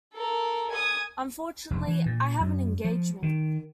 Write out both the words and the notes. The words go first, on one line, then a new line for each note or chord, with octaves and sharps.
Unfortunately I have an engagement.
A4 A#4
G#5 D#6
F1
E3
A#2
F#2
F3
D#3